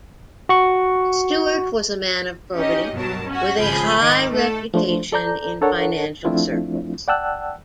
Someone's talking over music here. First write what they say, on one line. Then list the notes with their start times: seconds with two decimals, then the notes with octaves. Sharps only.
Stuart was a man of probity, with a high reputation in financial circles.
0.49 F#4 C#6
2.54 C#4 D#4 G4 D#5
2.94 G2 B2 F#3 A#4 A5
3.28 C#4 F#4
3.58 G#1 C#2 F3 G#4 B5 G6
4.00 D#3 D#4 D6
4.30 A3 A4
4.74 F3 A3 D4 C5
5.12 A4 D5 A#5 G6
5.61 D4 A4 A#4 C#5 F#5 A5
6.25 F3 A3 C4 D4 E4 F4
7.08 D5 F#5 G5 A5 E6 F#6